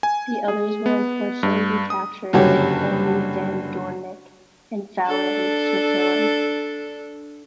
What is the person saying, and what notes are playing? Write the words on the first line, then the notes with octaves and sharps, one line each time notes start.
The others were unfortunately recaptured and only van Doorninck and Fowler reached Switzerland.
G#5
G#4
B3
G2
D#6
F#1 G2 D3 F#4 G4 C#5
D4 A4